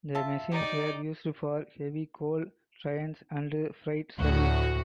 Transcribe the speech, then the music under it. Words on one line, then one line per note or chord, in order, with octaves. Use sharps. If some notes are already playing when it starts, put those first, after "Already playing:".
The machines were used for heavy coal trains and freight service.
F4 E5 A5
D#4 G4 D5
D2 A2 F#4